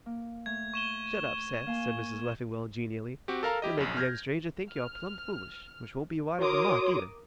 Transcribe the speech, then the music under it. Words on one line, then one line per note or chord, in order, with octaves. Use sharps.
"Shut up, Seth," said Mrs. Leffingwell, genially, "you'll make the young stranger think you're plum' foolish, which won't be wide of the mark either."
A#3
A3 G#6
C#6 E7 G7
A#3 F5 G#5
C4 F#4 G4
A4 A#4 F5 A#5
E4 G4 D#5
A#1 F#2
F6 G6 G#6 A#6
F6
F#4 A#4 C#5 C6 D6 D#6